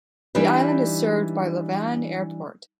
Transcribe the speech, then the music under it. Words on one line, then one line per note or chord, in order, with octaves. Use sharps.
The island is served by Lavan Airport.
E3 G3 D4 D#4 B4